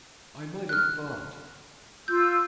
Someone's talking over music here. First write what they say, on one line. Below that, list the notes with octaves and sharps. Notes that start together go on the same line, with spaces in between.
"I might have thought!"
F6 F#6
F4 E6 G6